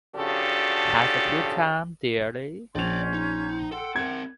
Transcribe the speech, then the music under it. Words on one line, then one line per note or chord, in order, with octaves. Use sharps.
Have a good time, dearies!
C#3 F3 D4 F#4 G4 A4
A#1 C#4 D5 D#5 C6 G6 F7
D#4
A4 F#5 G5 C6
C4 A#4 G#6